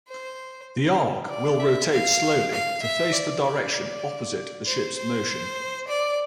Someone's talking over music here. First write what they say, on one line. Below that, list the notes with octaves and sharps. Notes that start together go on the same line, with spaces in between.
The arc will rotate slowly to face the direction opposite the ship's motion.
C5
D5
E5
F5
F5
E5
D5
D5
C5
C5
D5